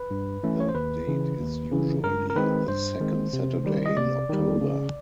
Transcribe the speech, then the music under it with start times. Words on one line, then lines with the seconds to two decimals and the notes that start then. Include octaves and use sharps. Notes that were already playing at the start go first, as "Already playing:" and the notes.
The date is usually the second Saturday in October.
Already playing: B4
0.11 G2
0.43 E3 A3 C#4
0.60 C#5
0.69 C5
0.75 D#2 B4
1.07 C#3 E3
1.40 D#2
1.72 C#3 E3
2.03 G2 A#4
2.30 A#4
2.35 D#3 G#3 C4 B4
2.68 G2 C5
3.00 D#3 G#3 C4
3.33 C3
3.64 D#3 G3
3.86 D#5
3.97 C3 D5
4.30 D#3 G3
4.61 C#3